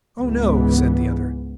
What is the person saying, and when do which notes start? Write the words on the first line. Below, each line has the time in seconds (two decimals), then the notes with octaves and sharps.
"Oh no," said the other.
0.20 C#2 G#2 E3 B3